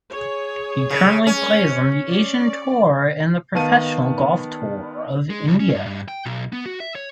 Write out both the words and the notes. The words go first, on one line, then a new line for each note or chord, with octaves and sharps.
He currently plays on the Asian Tour and the Professional Golf Tour of India.
G#4 C#5
C#3
C#4
D5
D#3 B3 F5 A5 D#7
G#3
C#2
C#4
G2
G2
G5
B1
B3
F#4
E5
C#5